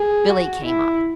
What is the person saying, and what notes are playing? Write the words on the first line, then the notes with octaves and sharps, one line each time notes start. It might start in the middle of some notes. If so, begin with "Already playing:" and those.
Billie came up.
Already playing: G#4
F#4
E4